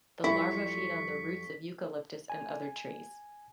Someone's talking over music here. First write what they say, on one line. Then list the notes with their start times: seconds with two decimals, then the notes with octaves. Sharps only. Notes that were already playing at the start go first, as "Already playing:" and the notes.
The larvae feed on the roots of "Eucalyptus" and other trees.
0.24 F2 G3 E4 C5 C#6 B6
2.30 G#5